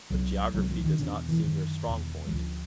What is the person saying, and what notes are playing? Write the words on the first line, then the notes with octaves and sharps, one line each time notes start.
"But geography does not seem your strong point."
C2 C3 F#3
C2 C3 F#3
F3
D#3
E2 B2 D3
E3
F#2 D3 D#3
E2 B2
F#3
D2 D3 F3